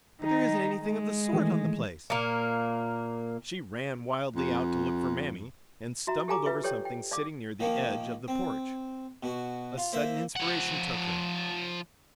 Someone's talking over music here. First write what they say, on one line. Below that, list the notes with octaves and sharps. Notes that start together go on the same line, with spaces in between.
"But there isn't anything of the sort on the place." She ran wildly out to look for Mammy; and stumbled over something sitting near the edge of the porch. A sudden inspiration took her.
D#3 D#4
G#3
D#3 E3 A3
A#2 A#3
F2
F#4 E5 A#5
G4 A4 F5 G#5 A#5 D6
F4 B4 E5
G4 A4 C#5 D5 G5
G5
D5 F5 D6
D#3 F3 A#3
C4
B2 F#4
F4
A#3 C5 E5
F3 F#5